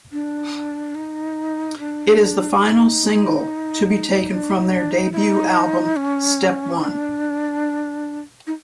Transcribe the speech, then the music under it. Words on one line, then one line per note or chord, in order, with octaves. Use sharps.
It is the final single to be taken from their debut album, "Step One".
D4
D#4
D4
D#4
D#4
D4
D#4
D4
D#4
E4
D#4
C#4
D#4
D4
D#4